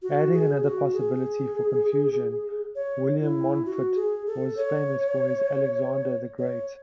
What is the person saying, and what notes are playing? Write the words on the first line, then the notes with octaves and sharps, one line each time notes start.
Adding another possibility for confusion, William Mountfort was famous for his Alexander the Great.
F#4
G#4
F#4
G#4
C#5
E4
F#4
G#4
A4
C#5
C#5